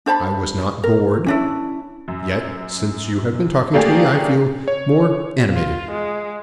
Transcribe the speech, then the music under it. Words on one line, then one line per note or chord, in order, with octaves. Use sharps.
"I was not bored; yet since you have been talking to me, I feel more animated."
D4 C5 A5 B5
A#4
C#4 D4 E4
F#2
A3 A#3 D4 G4 G#4
C#5
F4
G#3